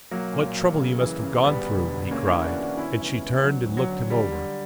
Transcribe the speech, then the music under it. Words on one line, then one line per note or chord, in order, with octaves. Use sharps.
"What trouble you must have gone through!" he cried, and she turned and looked him over.
B1 F#3 A#3
A#2
B1
C#3
E3
C#3
D2 G3 B3
E1
D3
C#3 A#3 C#4
C#4 E4
E3
D4 F#4
E3
D4 F#4
B2 C#4 E4
C#2
B2
D3 F#3
D2
F#3
D3
D3 G3
D3